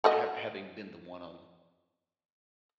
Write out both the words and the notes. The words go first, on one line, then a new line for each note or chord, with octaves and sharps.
Hav having been the one on
A3 F#4 D#5